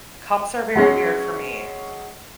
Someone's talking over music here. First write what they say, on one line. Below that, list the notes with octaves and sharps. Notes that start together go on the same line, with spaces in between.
Cups are very weird for me
F#3 G#3 C#4